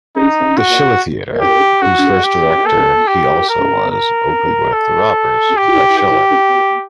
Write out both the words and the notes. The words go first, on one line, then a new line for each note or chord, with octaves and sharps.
The Schiller Theatre, whose first director he also was, opened with “The Robbers” by Schiller.
D#4
F#4
G4
F#4
G4
A4
G4
A#4
A#4
A4
G4
G4